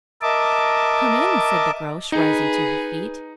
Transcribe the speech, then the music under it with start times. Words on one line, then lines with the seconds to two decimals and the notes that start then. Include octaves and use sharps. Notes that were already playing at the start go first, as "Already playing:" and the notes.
'Come in,' said the Groac'h, rising to her feet.
0.22 A#4 D#5 E5 A5 D6
2.12 D#4 G#4 B4